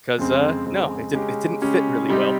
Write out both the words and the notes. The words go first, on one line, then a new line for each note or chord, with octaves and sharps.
'cause, uh, no, it didn't it didn't fit really well,"
F2 C#3 G#3 C4
F2 C#3 G#3 C4
C#3 G#3 C#4 G4
C#3 G#3 C#4 G4
C3 G3 C4 D#4 G4